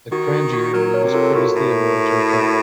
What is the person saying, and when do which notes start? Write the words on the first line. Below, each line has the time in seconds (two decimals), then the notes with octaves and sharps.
The Kranji area was previously a military camp.
0.12 D#3 F#4
0.33 F#4
0.53 F#4
0.74 F#3 F#4 A#4
0.94 A#4 C#5
1.04 C3
1.14 F4 A4
1.34 A2 F#4 A#4
1.56 A2